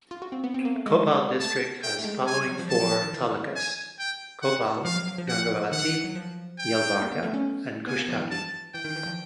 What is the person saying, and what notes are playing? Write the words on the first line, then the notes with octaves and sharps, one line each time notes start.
Koppal district has following four talukas: Koppal, Gangavathi, Yelbarga, and Kushtagi.
F4
F#4
C4
B3
C4
A#3
A3
G#3
A3 A5
A3 G5
A3
G#3
G3 G#5
G3
F#3
F3
F#3 A5
F3
E3
D#3
E3
G#5
G5
F#5
F3 F5
F#3
F#3
F3
F#5
D#3 F#5
E3
E3
F#3
F3
G5
A#3
B3
A3
C#4
B3 G#5
A#3
F3
E3
A5
E3 G5
D#3
E3
F3